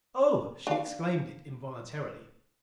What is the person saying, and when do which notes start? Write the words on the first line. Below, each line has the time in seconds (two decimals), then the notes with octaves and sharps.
"Oh!" She exclaimed it involuntarily.
0.67 D4 F5